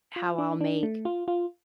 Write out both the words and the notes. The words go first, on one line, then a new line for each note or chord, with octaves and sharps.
how I'll make
F4
D4
D4
A3
F4
F4